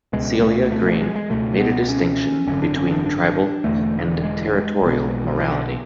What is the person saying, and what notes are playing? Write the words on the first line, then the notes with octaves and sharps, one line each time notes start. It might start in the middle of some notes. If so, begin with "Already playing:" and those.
Celia Green made a distinction between tribal and territorial morality.
C#2 B2 G#3
A3
A3
A3
G#3
G#3
C#2 B2 A3
B3
C#4
G#1 F#2 D3 C#4
D4
C#4
D4
D4
E1 E2 D3 A3
G#3
B1 B2
E3
D3